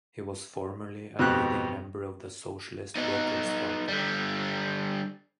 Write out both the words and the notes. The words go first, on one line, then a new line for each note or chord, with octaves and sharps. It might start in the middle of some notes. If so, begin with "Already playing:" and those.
He was formerly a leading member of the Socialist Workers Party.
F2 B2 G4 F#6
B3 D#4
D3 G3